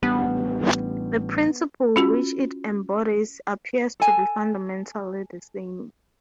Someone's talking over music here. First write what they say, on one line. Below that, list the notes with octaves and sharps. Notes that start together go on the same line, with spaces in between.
The principle which it embodies appears to be fundamentally the same.
A1 G3 B3 D4
C#4 F4 F#4
A4 G#5 A5